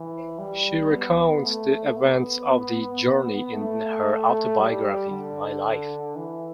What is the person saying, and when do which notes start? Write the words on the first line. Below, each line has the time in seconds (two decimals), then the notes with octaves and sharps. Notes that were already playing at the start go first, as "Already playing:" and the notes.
She recounts the events of the journey in her autobiography, "My Life".
Already playing: E3
0.39 G3
0.90 B3
1.43 A3
1.96 B3
3.53 A3
4.58 G3
5.10 D3
6.16 E3